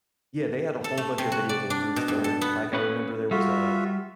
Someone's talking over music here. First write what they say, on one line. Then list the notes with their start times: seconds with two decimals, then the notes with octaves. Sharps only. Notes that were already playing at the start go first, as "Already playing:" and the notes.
Yeah, they had a whole bunch of video game booths there. Like, I remember there was a
0.84 A4
0.97 A3
1.18 C3
1.32 F#4
1.49 D5
1.70 D4
1.96 B2
2.08 G2
2.24 A4
2.41 B3
2.73 C#4 B4
3.31 G3 F4 F#4 E5